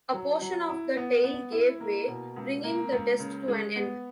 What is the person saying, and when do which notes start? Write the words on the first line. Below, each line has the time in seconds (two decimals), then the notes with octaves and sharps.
A portion of the tail gave way, bringing the test to an end.
0.13 F#3
0.41 F#3
0.69 E4
0.97 B3
1.24 B3
1.52 E4
1.80 A#3
2.08 B2
2.36 C#2
2.63 A#3
2.92 C#2
3.20 C#3
3.48 G#3
3.76 B3